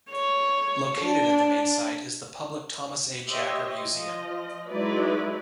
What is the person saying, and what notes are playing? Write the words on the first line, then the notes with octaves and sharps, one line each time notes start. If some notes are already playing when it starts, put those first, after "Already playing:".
Located at the main site is the public Thomas A. Jaggar Museum.
C#5
D4
G4 C5 C#5 D#5 E5
F3 D#5
F#3 G#3 D#4 E4 B4 D5